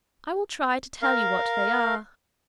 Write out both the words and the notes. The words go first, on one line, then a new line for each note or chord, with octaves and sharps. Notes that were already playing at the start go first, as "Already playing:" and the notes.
I will try to tell you what they are.
A#4 F5